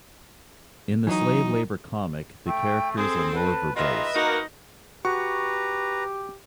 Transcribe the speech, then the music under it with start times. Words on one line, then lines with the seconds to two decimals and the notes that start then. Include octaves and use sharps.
In the Slave Labor comic, the characters are more verbose.
1.07 E3 F#3 D#4
2.47 A3 G5
2.97 C4 G#4 A4 C6
3.35 B4 A5
3.76 D#3 G#3 F4 B4 D#5 E5
4.14 A#3 D#4 F#4 A#4
5.05 F#4 G4 B4 A#5 C#6